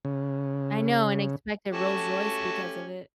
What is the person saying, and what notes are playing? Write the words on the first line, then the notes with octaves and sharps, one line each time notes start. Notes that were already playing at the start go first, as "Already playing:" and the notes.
I know, and I expect a Rolls Royce because of it.
C#3
A3 C#4 F#4 G4 A5